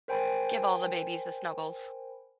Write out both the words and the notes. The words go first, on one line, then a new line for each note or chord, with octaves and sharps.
Give all the babies the snuggles.
A#4 C5 G5 G#5 B5